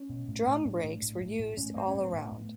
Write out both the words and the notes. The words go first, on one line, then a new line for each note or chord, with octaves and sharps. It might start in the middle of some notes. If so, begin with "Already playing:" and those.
Drum brakes were used all around.
Already playing: C#4
B2
A2
A2
A2 D4
A2
A2
A2
A2
A2 C#4
A2 C4
C#4
A2
C4
A2 B3
A2